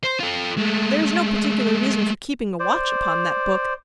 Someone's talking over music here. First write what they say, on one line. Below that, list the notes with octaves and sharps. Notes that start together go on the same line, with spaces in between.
There is no particular reason for keeping a watch upon that book.
C5
F4 A4
G#3 A3
C5 D5